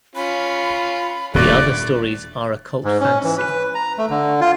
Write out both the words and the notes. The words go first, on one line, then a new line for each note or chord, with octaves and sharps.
The others stories are occult fantasy.
C#4 F4 B5
D#1 A2 D3 G3 A3 D5 F#6
G#2
C#4
E3
B4
A#5
A3
D3
F4